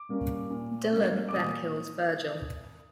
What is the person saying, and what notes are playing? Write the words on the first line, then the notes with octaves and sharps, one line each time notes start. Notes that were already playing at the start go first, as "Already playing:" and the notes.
Dylan then kills Virgil.
Already playing: D6
G3 A#3 C#4
A#2
G3 A#3 C#4
D6
A#2 D#6